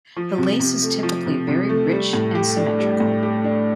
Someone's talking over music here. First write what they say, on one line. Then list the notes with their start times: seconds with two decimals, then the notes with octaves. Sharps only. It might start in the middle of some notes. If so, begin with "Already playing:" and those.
The lace is typically very rich and symmetrical.
0.17 F3
0.38 C3
0.60 C3
0.82 A3
1.03 F3
1.26 C3
1.48 C3
1.69 A3
1.92 G3
2.13 A2
2.35 G4
2.57 D4
2.79 G3
3.00 A2
3.23 G4
3.44 D4